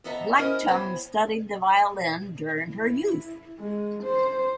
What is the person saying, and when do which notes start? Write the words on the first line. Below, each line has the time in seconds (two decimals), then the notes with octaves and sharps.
Blectum studied the violin during her youth.
0.04 F2 B3 A4 D#5 E5 A#5
0.38 C#4 E4 A#4 C5 D#5
0.68 B3 C4 E4 C5 C#5 G#5
2.62 E4
3.59 G#3
4.03 C5